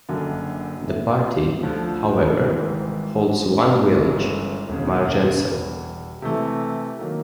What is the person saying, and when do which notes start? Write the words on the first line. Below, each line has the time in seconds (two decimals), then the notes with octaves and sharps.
The party, however, holds one village, Margencel.
0.09 F#1 F#2 D3
0.85 A#2 F#3 B3 E4
1.63 D2 D3 F3
2.39 G#1 G#2 E3 G3
3.16 G#2 E3 G#3
3.92 G1 G2 E3 G#3 C#4
4.69 E1 D#2 C#3
5.46 E2 B2 G3
6.22 C3 E3 A3
6.99 D#3 F#3 A#3